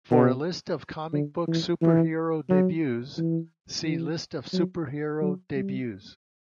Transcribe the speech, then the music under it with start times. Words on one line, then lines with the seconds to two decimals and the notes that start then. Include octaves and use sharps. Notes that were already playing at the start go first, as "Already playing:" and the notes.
For a list of comic book superhero debuts, see List of superhero debuts.
0.11 B2
1.13 D3
1.48 E3
1.82 E3
2.49 F#3
3.18 E3
3.85 E3
4.53 F#3
5.22 F#3
5.55 G3